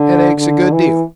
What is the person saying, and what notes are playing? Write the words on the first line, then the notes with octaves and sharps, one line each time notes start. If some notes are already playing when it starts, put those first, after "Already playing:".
Head aches a good deal.
Already playing: D3
D3
E3